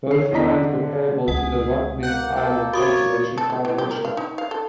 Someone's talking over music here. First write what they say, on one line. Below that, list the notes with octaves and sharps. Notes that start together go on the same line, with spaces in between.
Both fines were payable to the Rottnest Island Conservation Foundation.
C#5 C7
E2 D3 C#4 D#5 A#5 B6
D3
C#2 G#4 F#5
A#3 F#5 G6
A4
F#4 C#5 D#6
A4
A3
E3
G4
A#4
F5
D#4
F5
A4